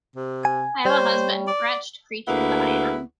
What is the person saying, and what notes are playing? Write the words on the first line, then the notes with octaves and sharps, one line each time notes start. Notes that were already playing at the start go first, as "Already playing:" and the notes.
I have a husband, wretched creature that I am!
C3
G#5
G3 C5 C#5
D5
D2 A#3 E4 G#4 B4 F#5